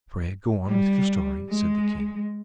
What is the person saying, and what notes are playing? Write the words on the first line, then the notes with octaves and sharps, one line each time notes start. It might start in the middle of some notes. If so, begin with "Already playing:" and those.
"Pray go on with your story," said the King.
G3
G#3